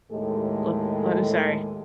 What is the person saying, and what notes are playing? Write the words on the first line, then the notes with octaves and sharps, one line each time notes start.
oh, I'm sorry,
D#2 A2 G#3 G4 A4 D#5